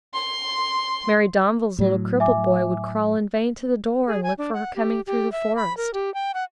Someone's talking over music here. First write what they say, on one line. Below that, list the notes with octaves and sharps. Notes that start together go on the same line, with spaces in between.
Mary Domville's little crippled boy would crawl in vain to the door and look for her coming through the forest.
C6
A2 F#3
E5 G#5 D6
G#4
G#5
D4
F#5
G4
G4
E5
B5
A#4
G4
G5
F#5